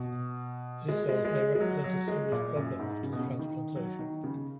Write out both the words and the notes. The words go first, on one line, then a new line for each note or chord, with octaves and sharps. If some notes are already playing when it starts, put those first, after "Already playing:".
These cells may represent a serious problem after the transplantation.
Already playing: B2
G#3
G#3
G#3
G#3
F#3
F#3
G#3
A#2
F#2
G#2
C#3
B2
C#3
D#3
F#3
D#3
C#3